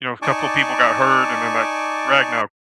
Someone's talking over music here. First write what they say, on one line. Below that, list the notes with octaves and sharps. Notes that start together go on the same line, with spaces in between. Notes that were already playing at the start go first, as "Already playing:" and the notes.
you know, a couple of people got hurt, and then that Ragnar,
D#4 D5 G#5 A5 C#6 D6